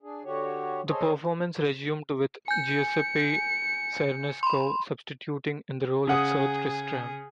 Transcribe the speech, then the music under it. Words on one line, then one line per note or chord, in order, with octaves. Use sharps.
The performance resumed with Giuseppe Cernusco substituting in the role of Sir Tristram.
D4 G#4
D3 F#4 G4 C#5
G#4 A4 C5 C#5 D#5
G#5 G6 C#7
B5 C6
C#3 G#4 F#5 D#6